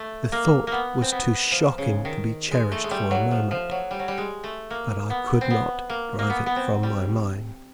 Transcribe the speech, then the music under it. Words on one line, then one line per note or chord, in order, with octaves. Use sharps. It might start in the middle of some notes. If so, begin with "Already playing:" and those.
The thought was too shocking to be cherished for a moment; but I could not drive it from my mind.
Already playing: A3
A#3
A#3 B3
C4
B3
F3
C#3
D#3
G#3
A3
G#3
G3
F#3
F3
F3
F#3
G3
F#3
G3
G#3
A3
A#3
B3
C4
B3
A#3
A#3
B3
B3
C4
G3